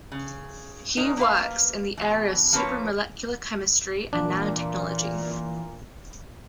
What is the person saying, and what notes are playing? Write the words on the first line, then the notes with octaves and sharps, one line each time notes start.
He works in the area of supramolecular chemistry and nanotechnology.
C#3
A#2 D4 D#4 A#4
A#3 B4 F5
B2 E3
F3 A#3 C4 C#4 B4 C#5
A#2 E3 D4